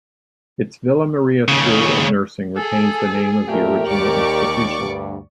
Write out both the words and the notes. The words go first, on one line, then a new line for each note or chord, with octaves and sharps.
Its "Villa Maria School of Nursing" retains the name of the original institution.
D#2 C#3
G#4 A4
F2 A#2 A3 G4 A#4
D#2 D5 C#6 D6
D2 G2